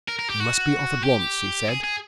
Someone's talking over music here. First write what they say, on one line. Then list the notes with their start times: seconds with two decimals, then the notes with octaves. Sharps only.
"We must be off at once," he said.
0.08 A#4
0.19 A#4
0.30 G4
0.40 F#4
1.03 G4
1.68 G#4
1.84 G#4